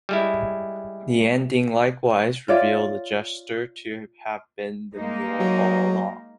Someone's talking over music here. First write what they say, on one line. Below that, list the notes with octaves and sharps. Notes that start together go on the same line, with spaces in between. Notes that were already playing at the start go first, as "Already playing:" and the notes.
The ending likewise reveals the jester to have been the Mule all along.
G3 G#3 E4
F4 C#5 D5 E5
G#3 A#3 D#4
F#3